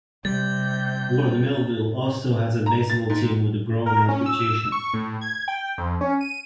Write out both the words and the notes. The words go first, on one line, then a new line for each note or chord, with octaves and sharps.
Ward Melville also has a baseball team with a growing reputation.
C3 G3 G6 A6
A#5
A6
G#2
A#4
C#4
E6
C#6
A2
G#6
G5
F2
C#4
D#7